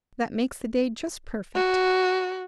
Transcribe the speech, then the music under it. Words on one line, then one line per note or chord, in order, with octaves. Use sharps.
"That makes the day just perfect."
F#4